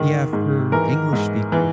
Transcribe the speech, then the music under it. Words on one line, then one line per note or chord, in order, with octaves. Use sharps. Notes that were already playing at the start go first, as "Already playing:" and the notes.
Yeah, for English speaker
Already playing: G#2 D#3
G#2
E3 A#4
G#2
E3